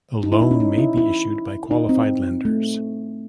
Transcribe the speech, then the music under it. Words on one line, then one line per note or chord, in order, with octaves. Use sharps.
The loan may be issued by qualified lenders.
D#4
E4
D#4
C#4
D#4
E4
E4
D#4
C4
A3